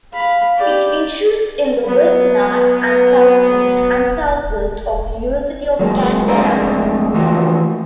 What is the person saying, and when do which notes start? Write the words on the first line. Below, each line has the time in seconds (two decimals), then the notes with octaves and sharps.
It intrudes in the west north and southeast and southwest of University of Canberra.
0.13 F5 B5
0.57 G4 D5
1.88 F#3 B3
5.79 F#3 G#3 A#3
6.28 F2 G#3 A3 D4 A#4 A#5
7.14 E3 F3 A3 A#3 F#4 G4